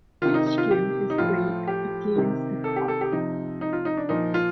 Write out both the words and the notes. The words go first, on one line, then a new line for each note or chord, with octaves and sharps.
Each game is played against the clock.
C3 D#3 F4
D#4
D#4
F4
G4
D#4
A2 F3 F4
G4
C3 D#3
A4
G4
A4
G4
C3 F3 D#4
D#4
F4
D#4
D4
A#2 F3 D#4
F4